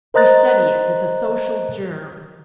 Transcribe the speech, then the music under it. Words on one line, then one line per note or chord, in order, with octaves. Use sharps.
"We study it as a Social Germ."
A#4 C5 D#5 A#5 F#6 A6